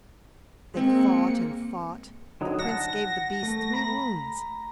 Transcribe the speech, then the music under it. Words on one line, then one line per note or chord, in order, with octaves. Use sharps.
They fought and fought; the Prince gave the beast three wounds.
G#3 A#3 C4 C#7
D3 F#3 D#4
F#5 A5 A#6
A3
A#5 B5